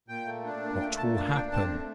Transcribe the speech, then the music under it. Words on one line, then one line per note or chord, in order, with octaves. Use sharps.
What will happen?
A#2 G5
A3
D4
A#2
A3 G5
A#2 A5
D4 A5
F5
D4 G5
C4 A5
A3